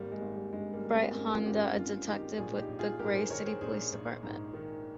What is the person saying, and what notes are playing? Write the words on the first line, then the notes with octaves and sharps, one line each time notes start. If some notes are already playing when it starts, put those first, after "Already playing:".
Bright Honda: A detective with the Gray City Police Department.
Already playing: G#1 G3 A#3
G#3
G#1
G3
G2 G#3
G3 A#3
D#3
G#3 C4
G#1 A#3 C#4
C#4 F4
G#1 G4
C#4 F4
G2 C#4 F4
D#3 D#4 G4
A#1 F4 G#4
D#4 G4
A#1
F4 G#4
G#2 G4 A#4
G#4 C5
D#3 A#4 C#5
G#4 C5
A#1 G#4 C5
A#1
G#2
D#3